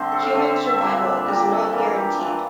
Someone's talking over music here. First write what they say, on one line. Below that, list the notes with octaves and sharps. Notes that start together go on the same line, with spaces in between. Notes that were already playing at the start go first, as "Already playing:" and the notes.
Human survival is not guaranteed.
Already playing: D3 A3 C4 D4 C5
A4
F5
D3 A3 C4 F5
E5
E5
A#2 G3 D4
D5
A#2 G3 D4 A#4
A4
E3 A#3 D4 A#4
G4
E3 A#3 D4 F4